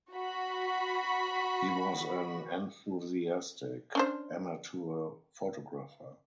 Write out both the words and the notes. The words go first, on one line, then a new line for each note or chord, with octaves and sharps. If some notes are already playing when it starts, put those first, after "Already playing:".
He was an enthusiastic amateur photographer.
F#4 B5
C#4 D4 C5